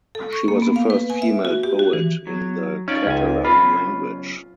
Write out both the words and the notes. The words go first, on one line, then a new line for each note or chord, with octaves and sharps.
She was the first female poet in the Catalan language.
A4
C#6
A#3
B3
F5
B4
G#5
E5
F#4
G4
F#4
E3
F#3
C#4 D#4 F4 D5
C#2 G#5
B1 C#3 F4 B5